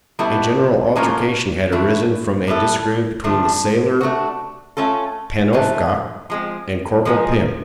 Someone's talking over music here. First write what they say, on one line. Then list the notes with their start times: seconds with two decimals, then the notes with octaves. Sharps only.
A general altercation had arisen from a disagreement between the sailor Panofka and Corporal Pim.
0.19 B2 G3 B3 E4 A4
0.96 A2 F#3 A#3 C#4 F4
1.72 E3 A3 D4 F#4
2.48 G3 B3 E4 A4
3.24 D3 F3 A3 D4
4.01 A3 D4 F#4
4.77 A3 C#4 F4 A4
5.53 C3 E3 A3
6.30 F3 G#3 C4
7.05 F3 G#3 C4 D#4 G#4